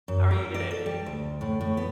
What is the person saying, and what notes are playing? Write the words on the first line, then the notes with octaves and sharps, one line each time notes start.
How are you today?
F#2
A#4
D5
A4
G3
D2
A2
A2
B3